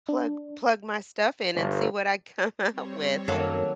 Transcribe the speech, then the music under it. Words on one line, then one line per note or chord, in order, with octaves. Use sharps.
plug plug my stuff in and see what I come out with,
D4
G1
G3 C4 C#5
F#2 D#3 F#3 A#3 A4